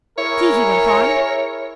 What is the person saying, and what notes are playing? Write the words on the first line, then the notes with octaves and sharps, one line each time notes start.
"See!" he went on.
E4 G#4 A#4 C#5